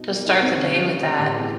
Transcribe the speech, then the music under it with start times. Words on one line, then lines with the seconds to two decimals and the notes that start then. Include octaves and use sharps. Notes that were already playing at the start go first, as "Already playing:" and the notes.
to start the day with that,
Already playing: B2 D#4
0.10 G3 A#3
0.25 B2 D#4
0.41 G3 A#3 C4
0.57 D3 C#4
0.73 G3 A#3
0.88 D3
1.04 G3 A#3
1.19 A2 G4
1.35 E3 A3 C4 G#4